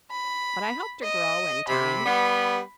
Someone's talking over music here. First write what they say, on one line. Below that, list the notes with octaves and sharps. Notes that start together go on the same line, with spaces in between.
But I hope to grow, in time.
B5
D#5
C3 B5
G3 B3